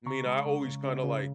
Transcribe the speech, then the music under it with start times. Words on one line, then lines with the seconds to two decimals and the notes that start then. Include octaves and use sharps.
I mean, I always kinda, like
0.06 C#3 A#5 C#6
0.26 G#3
0.45 C#3
0.65 C#3
0.84 C#3
1.03 C#3